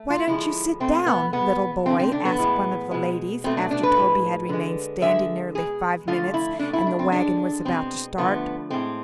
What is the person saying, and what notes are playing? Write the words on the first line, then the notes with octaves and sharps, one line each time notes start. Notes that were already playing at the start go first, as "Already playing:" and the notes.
"Why don't you sit down, little boy?" asked one of the ladies, after Toby had remained standing nearly five minutes and the wagon was about to start.
Already playing: A3
F4
D3 F3 G#3 E4
B2 A3 C4
B3
B2 G#3 B3
D3 A3 C4
C4
D4
B3
A2 E3 G#3
B2 G#3
B2 A3 C4
D4
D4
B4
A2 G#3
D3 G#3
D3 G#3 E5
B2 G#3 G#4
D3 F3 A3 F4
E4
B2 A3 D4
E4
D4
C4
D3 G#3 D4
B2 G#3 C4
D3 F3 A3 B3
A2 G#3 C4